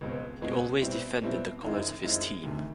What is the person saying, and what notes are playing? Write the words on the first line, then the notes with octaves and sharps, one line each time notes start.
He always defended the colors of this team.
C#2 B2 G#3 C4
C#2 B2 G#3 C4
B2 G3 C4 E4
B2 G3 C4 E4
F#2 D#3 G#3 C4 E4
F#2 D#3 G#3 C4 E4
D2 C3 D#3